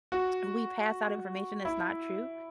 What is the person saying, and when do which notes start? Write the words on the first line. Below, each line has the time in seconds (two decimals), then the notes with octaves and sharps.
We pass out information that's not true,
0.12 F#4
1.65 E4